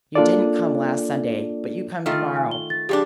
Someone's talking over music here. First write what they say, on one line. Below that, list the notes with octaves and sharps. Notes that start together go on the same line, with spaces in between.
You didn't come last Sunday--but you come to-morrow.
A#3 D4 F4 A4 D5
D#3 A3 F4 F6
G#5
G7
A6
F3 G3 D4 G4 G#4